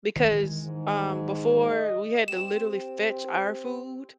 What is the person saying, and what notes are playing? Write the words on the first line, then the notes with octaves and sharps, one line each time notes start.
because, um, before we had to literally fetch our food
D#3 E3 G#3
G#2
D#5
C4 G4 E7